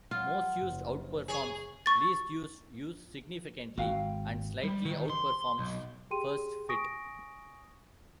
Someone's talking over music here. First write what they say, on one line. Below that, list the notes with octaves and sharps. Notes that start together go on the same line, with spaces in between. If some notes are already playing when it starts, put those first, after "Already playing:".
Most Used outperforms Least Used use significantly, and slightly outperforms First Fit.
F#3 F4 F#5
F#1
F3
G#4 C#5
C#6 A6
G#1 F#4 F5 G5
G3
D#3
C6
B1
G4 G#4 G5 C6 D#7
G#5 C#6 D#6 A#6 D7